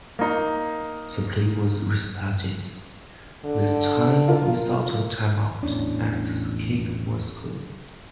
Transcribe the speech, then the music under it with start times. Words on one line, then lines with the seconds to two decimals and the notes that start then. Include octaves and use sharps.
The play was restarted, this time without a timeout, and the kick was good.
0.19 A#3 D#4
3.45 D3
4.28 F4 A#4
5.63 A1 E2 C#4 D4